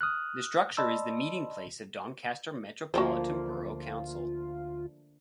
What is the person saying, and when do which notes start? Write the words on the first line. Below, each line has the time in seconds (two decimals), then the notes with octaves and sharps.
The structure is the meeting place of Doncaster Metropolitan Borough Council.
0.01 D#6 F6 F#6
0.77 D5 D#5 A5 B5 C6 E6
2.94 D2 F3 A#3 F4 F#4 A#4 C5